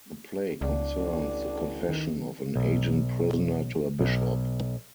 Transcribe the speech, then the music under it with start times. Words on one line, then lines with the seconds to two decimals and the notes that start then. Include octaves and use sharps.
The play concerns the confession of an aging prisoner to a bishop.
0.61 D1 C#2 D4
0.98 A1
1.89 D#3
2.56 B1
3.99 B1